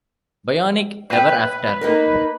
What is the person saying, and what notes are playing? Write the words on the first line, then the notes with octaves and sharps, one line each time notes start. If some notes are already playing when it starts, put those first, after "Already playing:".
Bionic Ever After?
B4 E5 G5
A#3 D#4 A#4